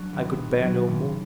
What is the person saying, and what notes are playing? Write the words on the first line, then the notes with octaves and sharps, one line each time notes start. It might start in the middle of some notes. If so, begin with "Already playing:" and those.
I could bear no more.
Already playing: F#3 D4
G#1
F#3
F#3
G#1